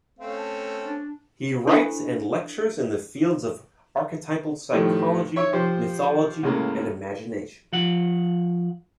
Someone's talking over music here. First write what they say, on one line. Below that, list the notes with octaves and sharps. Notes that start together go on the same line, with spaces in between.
He writes and lectures in the fields of archetypal psychology, mythology, and imagination.
A3 C4 C#4 F5
A5
D4
D4 E4 A4 C5 B5 C#6
A2 D#3 F3 G3 A3
C#5 E5 C#6
F3 G4 C5
C#2 A2 C#3 G#3 A#3
F3 F#5